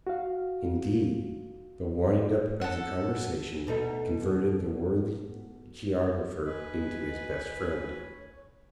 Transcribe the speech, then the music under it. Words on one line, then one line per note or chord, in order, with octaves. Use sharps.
Indeed, the wind-up of the conversation converted the worthy geographer into his best friend.
F#4 F5
A4 F#5
B2 A3 D#4
B4 D#5 G#5
C#5